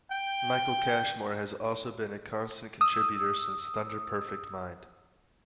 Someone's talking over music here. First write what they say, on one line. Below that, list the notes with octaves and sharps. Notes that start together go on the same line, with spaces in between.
Michael Cashmore has also been a constant contributor since Thunder Perfect Mind.
G5
D#6 E6